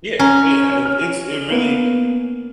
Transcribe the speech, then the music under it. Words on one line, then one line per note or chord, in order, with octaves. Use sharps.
Yeah, yeah, it's it's it really
C#4 A#5
F6
A#3 B3